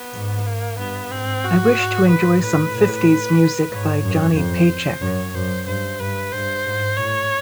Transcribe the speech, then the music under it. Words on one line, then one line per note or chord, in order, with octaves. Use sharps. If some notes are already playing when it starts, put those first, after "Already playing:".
I wish to enjoy some fifties music by Johnny Paycheck.
Already playing: B3
G#2
A#3
G2 B3
G#2 C4
G#2 F#4
G#2
G#2 B4
A2 B4
A2
G#2 C#5
F#2
F2 C5
F#2 C#5
F#2 C5
G2 C5
G2 B4
G2 C5
G#2
A2 C#5